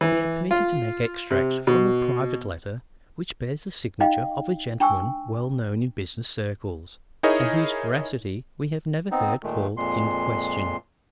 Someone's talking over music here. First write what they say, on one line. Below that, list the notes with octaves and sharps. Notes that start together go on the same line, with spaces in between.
We are permitted to make extracts from a private letter which bears the signature of a gentleman well known in business circles, and whose veracity we have never heard called in question.
E3
F4
C3
B2
D#4 D#5 F5 G5
D4 G5 G#5 C#6 E6
D#4 E4 G#4 A#4 C#5 D#5
B3 C4 D#4
A#2 D#3 G#3 A3
F2 A#2 G#3 C6